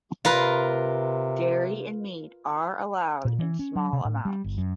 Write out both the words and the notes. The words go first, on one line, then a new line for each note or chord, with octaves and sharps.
Dairy and meat are allowed in small amounts.
C3 F4 A#4 B4
A#2
E3
C#4
F#3
C3
A2
G3
G1
F#2